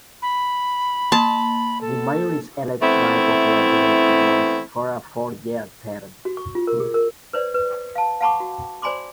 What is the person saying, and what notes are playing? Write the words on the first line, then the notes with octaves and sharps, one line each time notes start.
The Mayor is elected by popular direct vote for a four-year term.
B5
A#3 A5 C6
A4
E3 A3 B3 C4 E4
F#4
C#6
F4
A#4
G#4
A#4
B4 C5 D5
B4
F5 A5
F5 F#5 A5 B5 C#6 D6
F#4
C5 D5 G#5 B5 C6 D6